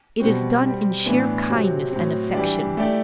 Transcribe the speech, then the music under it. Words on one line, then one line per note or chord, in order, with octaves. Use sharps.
It is done in sheer kindness and affection.
B2 G3 C4 F#4
G3 C4 G4
A2 E3 B3 D4
C3 F#3 C4
A2 F#3 C4
E3 G3 D4 G4 D5
A3 E4 G4 D5